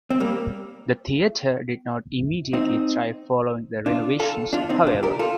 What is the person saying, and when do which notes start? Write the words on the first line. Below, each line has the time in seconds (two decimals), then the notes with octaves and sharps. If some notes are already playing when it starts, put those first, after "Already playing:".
The Theatre did not immediately thrive following the renovations, however.
0.10 C4
0.20 G3 A#3
2.53 C4 D#4
3.86 D4 F4
4.20 F4 A4
4.53 D4 F4
4.69 C4 D#4
4.87 D4 F4
5.03 G4 A#4
5.19 F4 A4